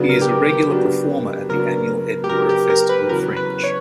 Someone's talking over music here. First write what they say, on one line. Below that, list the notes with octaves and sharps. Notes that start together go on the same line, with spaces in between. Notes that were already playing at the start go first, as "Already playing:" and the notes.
He is a regular performer at the annual Edinburgh Festival Fringe.
Already playing: C#3 F#3 B3 D4 F#4
A#4
G4
A#4
G4
C#3 F#3 B3 D4 F#4
C#3 F#3 B3 D4 F#4 A#4
G4
C#3 F#3 B3 D4 F#4 A#4
G4
A#4
B4
E2 C#3 F#3 C#4 F#4 A#4
B4
C#5